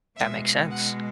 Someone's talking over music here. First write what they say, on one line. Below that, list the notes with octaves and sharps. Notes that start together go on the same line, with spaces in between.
That makes sense.
B2 G#3 E5
F#5